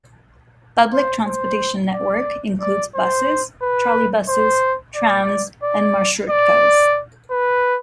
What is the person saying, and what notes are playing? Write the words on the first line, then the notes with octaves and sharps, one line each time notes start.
Public transportation network includes buses, trolleybuses, trams, and "marshrutkas".
C5
C5
D5
D5
C5
B4
C5
D5
D5
D5
B4